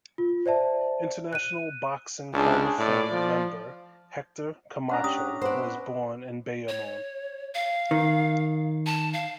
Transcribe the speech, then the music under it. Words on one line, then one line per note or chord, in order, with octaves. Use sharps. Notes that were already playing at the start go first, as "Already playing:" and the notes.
International Boxing Hall of Fame member Hector Camacho was born in Bayamon.
F4
C5 D5 E5 A5
F#6 D#7
C#2 D4 G#4
A2 D5
F3
C#4 D4 F#5 A#5
G4 D#6
B3 C5 D5 E5
C#5
F5
D#3
A5
F5